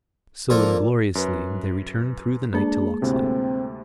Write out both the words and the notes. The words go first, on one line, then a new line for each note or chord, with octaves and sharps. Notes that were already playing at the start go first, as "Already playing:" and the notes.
So, ingloriously, they returned through the night to Locksley.
F3 A#3 A4 A#4 D5
F#2 B4
G#3 A#3 D4 G#4
D2 A2 C3 C4